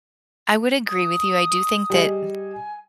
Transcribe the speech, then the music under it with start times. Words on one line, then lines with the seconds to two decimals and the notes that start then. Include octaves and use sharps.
I would agree with you. I do think that th
0.86 D#6
1.90 G3 G#4 D#5
2.51 G#5